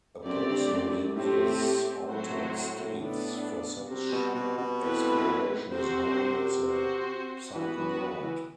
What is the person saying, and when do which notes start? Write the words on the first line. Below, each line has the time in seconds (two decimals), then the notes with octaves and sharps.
A person who uses altered states for such exploration is known as a psychonaut.
0.25 F#2 A3 C4 G4 D5
0.47 G2
0.70 F#2
0.86 G2
0.93 F#2
1.16 A2 A3 C4 G4
2.07 A2 F#3 A3 C4 F#4 C5
2.98 B3 D4 A4 D5
3.89 C3 G3 C4 F#4
4.12 B2
4.35 B2
4.58 B2
4.81 E3 A3 C4 E4 B4
5.72 C3 C4 F#4 C5
6.63 C4 F#4 C5
7.55 E3 B3 F#4 B4
7.77 E3
8.00 F#3
8.23 E3